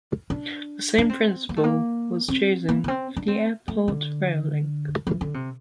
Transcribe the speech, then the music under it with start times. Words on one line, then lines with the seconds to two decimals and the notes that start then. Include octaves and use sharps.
The same principle was chosen for the airport rail link.
0.30 D4
0.98 D4
1.09 C4
1.49 A#3
1.56 A3
1.64 A#3
2.28 C4
2.69 A#3
2.84 A#3
2.88 C4
3.17 D4
3.28 C4
3.68 A3
3.88 D3
5.07 E3
5.21 D3
5.34 C3